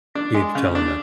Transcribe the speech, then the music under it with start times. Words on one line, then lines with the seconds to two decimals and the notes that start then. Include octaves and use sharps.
You need to tell him that
0.15 D4
0.34 G#3
0.55 C#3
0.75 D4